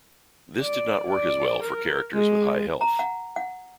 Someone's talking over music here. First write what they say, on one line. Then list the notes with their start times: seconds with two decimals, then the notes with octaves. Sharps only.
This did not work as well for characters with high health.
0.62 D5
1.10 D5
1.63 A#4
2.14 G#3
2.81 A#5
2.99 F#5
3.36 F#5